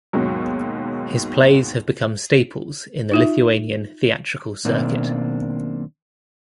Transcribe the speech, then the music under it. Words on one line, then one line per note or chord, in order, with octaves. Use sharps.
His plays have become staples in the Lithuanian theatrical circuit.
D#2 G#2 B2 F#3
D#4 F4 E5
B1 B2 D#3 A#3 C4 D4